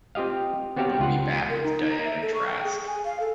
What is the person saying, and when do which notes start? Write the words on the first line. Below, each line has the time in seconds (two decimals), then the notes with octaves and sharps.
We'll be back with Diana Trask.
0.15 C4 F4 G4 D#5 F5
0.76 B3 C4 F#4 G4 C#5 F5
0.99 C#2 F4 F#5
1.49 A#4
1.63 D#4
1.90 A#5
2.04 E5
2.22 A4
2.34 C#6
2.47 G5
2.63 G#4
2.87 G#5
3.04 F5
3.20 A4